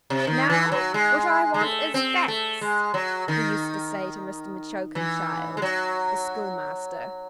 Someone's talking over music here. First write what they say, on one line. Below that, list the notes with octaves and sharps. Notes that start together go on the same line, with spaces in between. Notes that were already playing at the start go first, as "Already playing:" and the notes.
"Now, what I want is facts!" he used to say to Mr. M'Choakumchild, the schoolmaster.
C3
D#3
E3
F#3
G#3
G#3
A3
C4
A3
G#3
F#3
D#3
E3
G#3
F#3